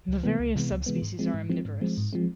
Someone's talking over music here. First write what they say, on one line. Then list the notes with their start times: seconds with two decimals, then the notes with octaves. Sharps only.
The various subspecies are omnivorous.
0.08 C#2
0.23 C3 E3 G#3 B3
0.39 C#2
0.56 C3 E3 G#3 B3
0.71 C#2
0.86 C3 E3 G#3 B3
1.02 G#2
1.19 F3 G#3 C4
1.34 G#2
1.50 F3 G#3 C4
1.65 G#2
1.81 F3 G#3 C4
1.97 G#2
2.13 F3 G#3 C4